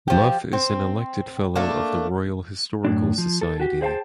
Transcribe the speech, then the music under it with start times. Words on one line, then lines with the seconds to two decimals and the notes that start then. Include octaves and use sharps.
Luff is an elected Fellow of the Royal Historical Society.
0.08 F3 G4
0.53 C4
1.56 A3 A#3 D4
2.85 F#2 A2 D4
3.18 F3
3.41 A4
3.60 F#4 G4
3.81 G#4 C5 E5 F5 G5 A5